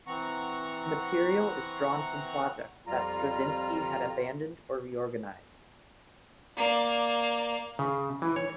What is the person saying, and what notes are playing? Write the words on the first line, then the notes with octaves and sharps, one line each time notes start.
Material is drawn from projects that Stravinsky had abandoned or reorganized.
E3 C4 F#5 A#5 C#6
F2 G3 F4 A#5
A#3 D5
C#3
E3
C#5